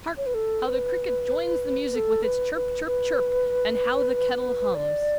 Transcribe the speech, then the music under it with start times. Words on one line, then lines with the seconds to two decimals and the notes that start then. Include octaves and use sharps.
Hark! how the Cricket joins the music with its Chirp, Chirp, Chirp; and how the kettle hums!
0.17 C#5
0.26 B4
0.34 A4
0.66 B4
1.91 B4
1.95 A4
2.23 B4
2.54 B4
2.86 B4
4.74 D5